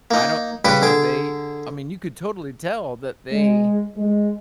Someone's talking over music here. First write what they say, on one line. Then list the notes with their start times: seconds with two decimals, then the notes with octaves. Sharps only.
I don't you know, they I mean, you could totally tell that they
0.11 A#3 D#4
0.65 C#3 G3 B4 D6
0.82 D3 G#4 D6
3.32 G#3
3.96 G#3